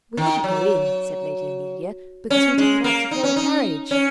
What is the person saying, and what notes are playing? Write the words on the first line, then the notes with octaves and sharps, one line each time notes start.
"We wouldn't go in," said Lady Amelia, "because we didn't like to fill the carriage."
D#3
F#3
C#4
G#3
A#3
D#4
C#4
D#4
C#4